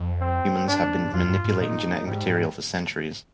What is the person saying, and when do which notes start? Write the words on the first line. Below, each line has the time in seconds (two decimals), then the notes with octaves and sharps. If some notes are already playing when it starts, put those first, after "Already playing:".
Humans have been manipulating genetic material for centuries.
Already playing: F2
0.21 C4
0.68 G2 D4
0.83 F2
0.99 G2
1.13 F2 F4
1.29 G2
1.44 G#2
1.60 A#2 D#4
2.06 G#2 G3
2.29 G#2